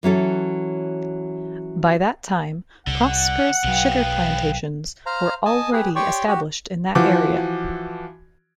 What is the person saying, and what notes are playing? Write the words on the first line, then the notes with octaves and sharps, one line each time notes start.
By that time, prosperous sugar plantations were already established in that area.
E3 F#3 C#4 A4
C2 D3 F#5
B1 C#3 F#3 B3 B4 F5 G5
C5 F5 A#5
D#5 G#5 A5
G4 G#4 B4
G4 C#5 D5 G5 C6 C#6
F#4 G4
E3 F3 F#4 D6